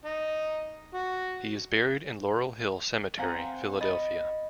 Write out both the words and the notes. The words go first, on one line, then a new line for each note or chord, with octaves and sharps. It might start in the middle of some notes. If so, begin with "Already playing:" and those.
He is buried in Laurel Hill Cemetery, Philadelphia.
D#4
F#4
C4 F5 F#5 G#5 A#5
D#5 B5 A6